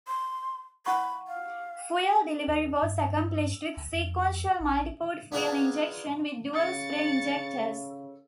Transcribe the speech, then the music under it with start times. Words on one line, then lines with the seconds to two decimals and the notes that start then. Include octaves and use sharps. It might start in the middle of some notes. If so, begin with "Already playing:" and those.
Fuel delivery was accomplished with sequential multi-port fuel injection with dual spray injectors.
0.08 C6
0.86 E4 F#5 B5 C#6
1.28 F5
2.48 D#2
2.82 G2
3.77 D2
3.93 F2
4.60 A#1
5.32 B3 D4 F4 G#4 A#4 D#5
6.54 C#3 A6 C#7